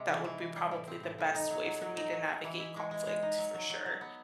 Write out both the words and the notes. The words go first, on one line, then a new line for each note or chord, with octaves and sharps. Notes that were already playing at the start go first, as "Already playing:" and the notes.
that would be probably the best way for me to navigate conflict for sure.
Already playing: C3 G#3
E3
E3
E3
G3
A2
C4
A2
A2
D#4
F#3
F#3
F#3
D#4
F#3
G#3
E3
E4
G#3
G#3
G#3
D#4
F#3
F#3
F#3
F#3
B3